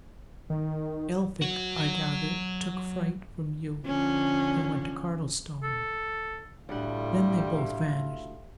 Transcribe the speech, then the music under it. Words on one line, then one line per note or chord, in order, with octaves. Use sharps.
Elphick, I gather, took fright from you, and went to Cardlestone--then they both vanished.
D#3
F#3 F#4
D3 F3 C#4
A4
D2 A2 G3 A3 E4 F4 F#5